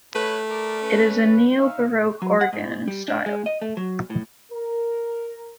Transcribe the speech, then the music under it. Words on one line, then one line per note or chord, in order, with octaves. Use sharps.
It is a neo-baroque organ in style.
A3 B4 C#5
A#4 D5
C#4 B4
D#4 E5 F5
F#3
F#5
G#2
G3
D4
G#3
D#5
A3
F#3
A2
A#4